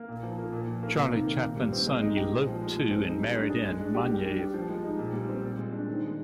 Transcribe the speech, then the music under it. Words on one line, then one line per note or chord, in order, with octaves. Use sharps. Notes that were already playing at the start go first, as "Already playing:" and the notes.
Charlie Chaplin's son eloped to and married in Moniaive.
Already playing: A#3
A#2
F3
A#3
A#2
F3
A#3
C3
D#3
A#3
A#2
G3
C4
G#3
D#4
G4
A#2
F3
G#3
G#3
C4
D#4
G3
D4
G#4
G#3
D4
G4
G3
D4
G4
F3
G#3
D#4
A#2
G3
C4
A#2
G#3
D4
D#3
G#3